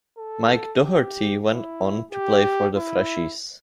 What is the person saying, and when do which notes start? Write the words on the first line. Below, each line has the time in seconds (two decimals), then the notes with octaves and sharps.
Mike Doherty went on to play for The Freshies.
0.18 A4
0.83 G4
1.47 E4
2.12 G4
2.77 E4